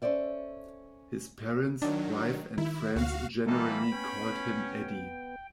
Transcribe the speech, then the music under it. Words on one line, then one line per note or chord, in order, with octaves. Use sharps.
His parents, wife, and friends generally called him Eddie.
C#4 A4 C5 D5 E5
D#3 F#3 D4
D#3 E4
D2 F#4 F5
E3 G3 A#3 B3 D#4 F4 A4 B5
C#4 G5